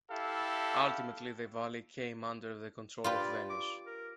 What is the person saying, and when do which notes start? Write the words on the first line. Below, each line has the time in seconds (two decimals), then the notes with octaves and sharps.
Ultimately the valley came under the control of Venice.
0.11 E4 G4 A4 F5
3.04 F4 G4 B4 D5
3.50 D6
3.87 A#4